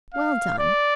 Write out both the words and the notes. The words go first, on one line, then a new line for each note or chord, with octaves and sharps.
Well done.
F5
D5